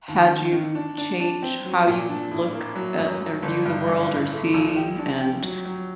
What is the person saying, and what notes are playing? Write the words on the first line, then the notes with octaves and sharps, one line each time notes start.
had you change how you look at or, view the world, or see, and
D#2
D#3
D#3
D4
D4
D4
C4
F#3
A#2
D4
A2
A#3
F#3
F#2
F#2
G1
G2
G1
A2
A3
A#1
G4
D4
G4
F#3
F#3